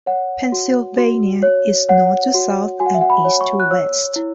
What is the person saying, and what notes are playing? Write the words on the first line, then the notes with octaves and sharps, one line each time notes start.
Pennsylvania is north to south and east to west.
C#5 F#5
F#4
F#4
C#5
C#5 F#5
F#4
F#4 G#5
F#5
E5
F#5
B5
C#5
C#6
F#6
C#5 E6
E4